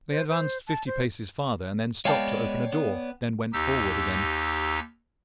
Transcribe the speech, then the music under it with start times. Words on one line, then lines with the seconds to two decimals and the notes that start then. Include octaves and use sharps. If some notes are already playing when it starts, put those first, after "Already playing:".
They advanced fifty paces farther, and then stopped to open a door, then went forward again.
0.11 C5
0.29 C5
0.67 A5
0.87 C5
2.05 G#3 B3 C#5 D5 F5 G5 A5
2.73 B3
3.53 D#2 D#4 G4 E6